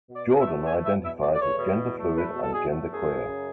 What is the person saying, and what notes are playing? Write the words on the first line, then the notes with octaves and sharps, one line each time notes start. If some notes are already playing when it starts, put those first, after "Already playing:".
Jordan identifies as genderfluid and genderqueer.
B2
D5
E2
E5
A3
E2 G#5
B2 E5
E2 E5
A3 D5
D5
E2 C#5
B2
E2
A3
E2 B4
B2
A4
E2 G#4
A3
F#2 G#4
C#3
F#2